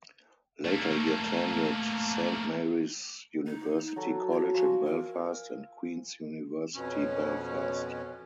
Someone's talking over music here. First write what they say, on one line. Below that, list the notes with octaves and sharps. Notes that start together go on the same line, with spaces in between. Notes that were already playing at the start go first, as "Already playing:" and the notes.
Later he attended Saint Mary's University College in Belfast and Queens University Belfast.
A3 A#3
D#4
F#3 F#4 A4
C#5
F3 F#4 G#5 C6
A#4 E6
F2 B2 C#4